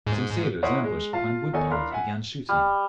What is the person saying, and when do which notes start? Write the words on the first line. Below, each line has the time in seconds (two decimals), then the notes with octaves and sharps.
Some sailors ambushed behind wood-piles began shooting.
0.07 G#2
0.63 E4 A#4 C5 C#5 D#5 F#5
0.84 G#3
1.13 F4 F5 A5
1.53 E2 D#3 A4 C#5 D#5 G#5
1.71 D4 E4 A#4 F5 B5 C6
1.91 E5 F#5 G#5
2.49 G3